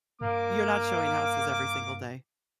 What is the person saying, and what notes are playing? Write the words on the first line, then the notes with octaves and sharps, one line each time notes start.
You're not showing houses every single day.
G2 A#3 D6